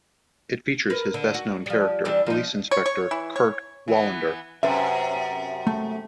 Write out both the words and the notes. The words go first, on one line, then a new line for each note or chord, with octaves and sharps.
It features his best-known character, police inspector Kurt Wallander.
A#4 B4
D3
F#4
F3 G3
E3 G3 D4
F3 D#4
C#5
C#5
E3
C#5
E3 B3
F#2 C3 B4 E5
A3